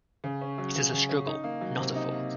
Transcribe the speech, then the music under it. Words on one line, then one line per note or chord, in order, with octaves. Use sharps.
It is a struggle, not a thought.
C#3
C#4
F#3
C#3
C#3
C#4
D#4
A#3
F#3
C3
D#4
A#3